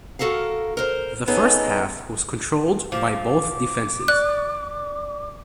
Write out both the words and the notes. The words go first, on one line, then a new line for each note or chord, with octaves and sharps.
The first half was controlled by both defenses.
F#4 A4 A#4 F5
A#4 C5
B3 C#4 D#4 G#4 A4
F3 D6
D5 F#6